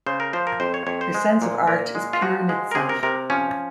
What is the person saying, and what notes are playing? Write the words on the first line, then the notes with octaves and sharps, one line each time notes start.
Her sense of Art is pure in itself.
C#3 C5
A#4
F3 C5
A#4
F2 C5
C#5
F2 C#5
C5
G#3
A#2
A#2 A#4
G#3
F4
F3 F#4
G#3
A#4
C3 G#4
A#4
C3 A#4
F3 C#4